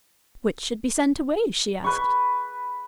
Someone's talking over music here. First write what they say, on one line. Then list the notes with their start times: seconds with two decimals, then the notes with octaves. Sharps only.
"Which should be sent away?" she asked.
1.84 B4 C#6